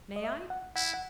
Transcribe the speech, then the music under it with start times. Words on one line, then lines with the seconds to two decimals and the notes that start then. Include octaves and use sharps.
"May I?"
0.16 D#5
0.24 E5
0.50 F#5
0.76 E4 F#5
0.94 F#5